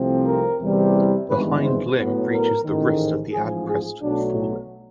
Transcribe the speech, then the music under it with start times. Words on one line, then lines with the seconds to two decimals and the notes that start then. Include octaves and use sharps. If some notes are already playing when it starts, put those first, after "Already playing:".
The hind limb reaches the wrist of the adpressed fore limb.
Already playing: C2 C3 F3 A3 C4
0.26 A#4
0.60 E2 C3 E3 G3
1.28 G#1 G2 E3 G#3 B3 B4
1.63 C5
1.96 A2 F#3 B3
2.31 A#4
2.64 A1 G#2 D#3
3.32 A1 G#2 F3 G#4
3.67 G#4
4.01 B1 B2 F#3 A3 D4